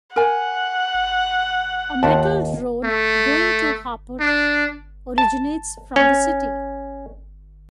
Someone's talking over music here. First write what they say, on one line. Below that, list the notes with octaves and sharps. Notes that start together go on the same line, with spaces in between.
A metalled road, going to Hapur, originates from the city.
A#4 F#5 G#5
D#2 F4 G4 A5
A3
D4
A5
C#4